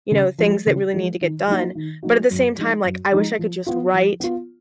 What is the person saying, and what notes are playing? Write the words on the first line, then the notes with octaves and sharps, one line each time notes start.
you know, things that really need to get done, but at the same time, like, I wish I could just write.
C#3
F3 G#3
C#3
F3 G#3
D#3
F#3 A#3 D#4 F#4
D#3
F#3 A#3 D#4 F#4
F#2
F3 G#3 D#4
F#2
F3 G#3 D#4
F3
B3 F4
F3
B3 F4